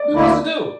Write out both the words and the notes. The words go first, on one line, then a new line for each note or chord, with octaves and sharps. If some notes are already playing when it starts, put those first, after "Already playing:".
What do you want us to do?
Already playing: D5
D2 D3 A#3 E4